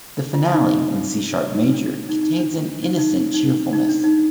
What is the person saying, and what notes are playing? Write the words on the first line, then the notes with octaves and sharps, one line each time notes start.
The finale, in C-sharp major, contains an innocent cheerfulness.
F4
D#4
D4
D#4
D4
D4
D#4
D#4
D4
D4
D4
D#4
D#4
D#4
D#4
D4
D#4
D4
D#4